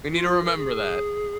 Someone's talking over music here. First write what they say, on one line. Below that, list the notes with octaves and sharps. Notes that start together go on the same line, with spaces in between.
We need to remember that.
F4
A#4
G#4